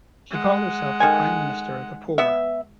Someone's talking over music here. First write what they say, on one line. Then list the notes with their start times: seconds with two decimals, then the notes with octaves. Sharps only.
She called herself 'The Prime Minister of the Poor'.
0.30 G#3 F#5
1.00 D#3 A4 G#5
2.18 B3 E5